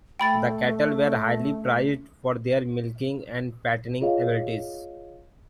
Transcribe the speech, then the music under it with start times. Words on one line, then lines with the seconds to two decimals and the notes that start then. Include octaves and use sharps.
The cattle were highly prized for their milking and fattening abilities.
0.20 A3 G5 B5 A6
4.01 F4 G#4 C#5 D#5 F5